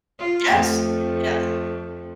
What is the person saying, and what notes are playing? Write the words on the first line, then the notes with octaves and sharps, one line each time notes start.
Yes, yes.
F4
F2 A3